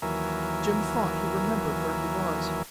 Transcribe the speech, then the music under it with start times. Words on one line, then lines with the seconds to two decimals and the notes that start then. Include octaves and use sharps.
Jim thought he remembered where he was.
0.02 D#2 E3 F#3 A#4 E5 G#5